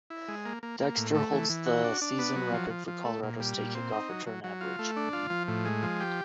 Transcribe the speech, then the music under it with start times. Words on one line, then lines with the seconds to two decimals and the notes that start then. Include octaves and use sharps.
Dexter holds the season record for Colorado State kickoff return average.
0.10 E4
0.28 G#3
0.46 A#3
0.63 A#3
0.80 A#3
0.97 A2
1.15 A3
1.32 E3
1.49 E3
1.66 F#4
1.84 D4
2.02 D4
2.19 B3
2.36 F#3
2.53 F3
2.70 F3
2.88 F3
3.05 A3
3.23 A#2
3.40 G3
3.58 A#2
3.75 C4
3.92 D#4
4.09 F#3
4.27 F#3
4.44 F#3
4.61 F4
4.79 A3
4.96 D4
5.13 F4
5.30 F3
5.48 A2
5.65 G#3
5.83 F3
6.00 G4